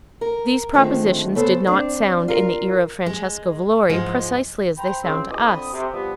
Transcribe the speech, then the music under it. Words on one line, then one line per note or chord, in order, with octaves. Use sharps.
These propositions did not sound in the ear of Francesco Valori precisely as they sound to us.
A#4
D3 D#3 F3 G#3 A3 C4
C#3 B3 A4 C5
C4 D4
F4 A#4 F5
G#3
G#2 F3 G#3
C5 G5 A#5 B5
C#2 C#3 C4
E2 B2 D#5 D6
F2 D3 C4 B5 D#6
C3
F3 G3 B3